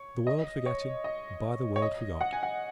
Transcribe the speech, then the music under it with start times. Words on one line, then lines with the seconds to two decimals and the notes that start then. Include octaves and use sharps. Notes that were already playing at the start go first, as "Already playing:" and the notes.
"The world forgetting, by the world forgot."
Already playing: C#5
0.27 D#5
0.66 C#5
1.04 D#5
1.76 C#5
1.82 D#5
2.21 F#5
2.33 G#5
2.43 F#5